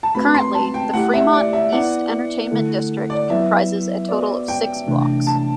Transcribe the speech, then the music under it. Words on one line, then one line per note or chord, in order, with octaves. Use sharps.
Currently, the Fremont East Entertainment District comprises a total of six blocks.
A5
A3 C4 F#4 B4 B5
C6
A5
G5
A3 E4 G4 F#5
E5
D5
E5
B3 E4 B4 D5 F#5
D3 A3 E4 A4
D5
F#3 B3 E4 B4 E5
B3 F#4 B4 D5
G5
C3 E3 A3 D4
A5